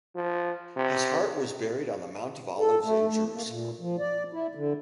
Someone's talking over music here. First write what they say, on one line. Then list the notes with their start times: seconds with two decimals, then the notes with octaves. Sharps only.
His heart was buried on the Mount of Olives in Jerusalem.
0.15 F3
0.76 C3
2.59 A4
2.84 A3
3.09 A3
3.33 A#3
3.47 A#2
3.80 F3
3.99 D5
4.33 E4
4.55 D3